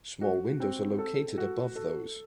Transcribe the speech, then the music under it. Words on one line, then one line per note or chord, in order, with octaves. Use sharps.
Small windows are located above those.
F#4
C4
A4
F#4
A4